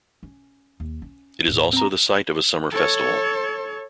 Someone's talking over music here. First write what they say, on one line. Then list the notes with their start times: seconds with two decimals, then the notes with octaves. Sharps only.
It is also the site of a summer festival.
0.23 C#4
0.80 D#2
1.02 C#4
1.47 D#2 A2
1.73 C4 A#5
2.72 A4 C#5